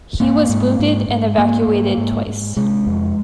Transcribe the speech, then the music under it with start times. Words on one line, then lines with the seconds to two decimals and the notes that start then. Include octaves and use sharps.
He was wounded and evacuated twice.
0.20 G#2 A#3
0.49 G#2
0.80 G#2
1.09 G#2
1.38 G#2 A#3
1.68 G#2
1.98 G#2
2.27 G#2
2.57 C3 G#3
2.87 F2